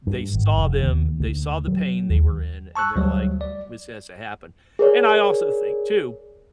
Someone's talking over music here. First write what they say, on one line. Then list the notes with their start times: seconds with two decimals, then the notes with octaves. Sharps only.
they saw them, they saw the pain they were in, and they're like, "This has to happen," and I also think too,
0.07 G2
0.34 G#1
0.58 F1
0.82 D#2
1.20 D2
1.68 F#3
2.10 D#2
2.75 A5 C#6 E6 F#6
2.96 D2 F#3 G3
3.41 D5
4.79 G#4 A#4 C#5 D5